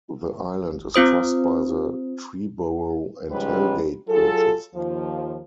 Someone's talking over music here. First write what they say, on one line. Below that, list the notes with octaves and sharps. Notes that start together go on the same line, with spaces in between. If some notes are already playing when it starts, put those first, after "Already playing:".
The island is crossed by the Triborough and Hell Gate bridges.
C4 F4 C5 D#6
G#2 C#3 F3 G3 C#4 B4
F#3 F4 G#4 A4
D#2 F3